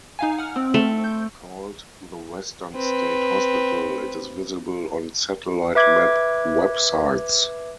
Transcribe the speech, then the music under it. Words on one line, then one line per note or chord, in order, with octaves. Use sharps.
Called the Western State Hospital, it is visible on satellite map websites.
D#4 F5 G#5
F#5 F6
C4
A3
G6
C4 B4
B4 E5 D6 G#6